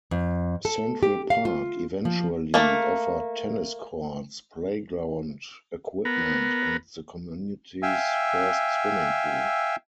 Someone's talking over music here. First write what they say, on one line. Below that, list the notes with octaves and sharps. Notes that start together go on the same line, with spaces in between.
Central Park eventually offered tennis courts, playground equipment, and the community's first swimming pool.
F2
A4
G4
F5
F4
F3
A3 A#3
B3 A#4
E5 F5 G5 G#5 E6